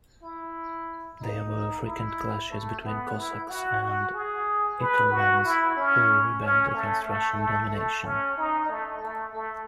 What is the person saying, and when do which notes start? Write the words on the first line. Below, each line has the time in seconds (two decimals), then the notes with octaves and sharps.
There were frequent clashes between Cossacks and Itelmens, who rebelled against Russian domination.
0.23 E4
1.21 D#4
1.86 E4
2.51 A3
2.84 B3
3.16 E4
3.49 F#4
3.81 F#4
4.14 G#4
4.79 B4
5.11 F#4
5.45 E4
5.77 C#4
6.42 C#4
6.74 A3
7.07 A3
7.40 A3
7.73 A3
8.04 C#4
8.37 D#4
8.70 A3
9.02 A3
9.35 A3